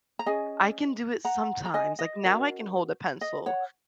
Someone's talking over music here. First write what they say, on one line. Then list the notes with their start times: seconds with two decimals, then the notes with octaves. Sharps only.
I can do it sometimes, like, now I can hold a pencil,
0.19 A#5
0.26 C#4 G#4 D#5 G#5
1.25 F#5 A#5
1.65 A#5
1.74 D#5 G#5
1.99 D#5
2.23 C#4 F#4 A#4
3.21 D#5
3.46 C#5 F#5